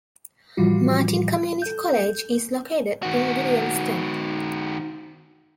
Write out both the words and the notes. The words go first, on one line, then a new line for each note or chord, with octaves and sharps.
Martin Community College is located in Williamston.
A2 E3 F3 G3 F4 F#4
A4 G6
D#3 F#4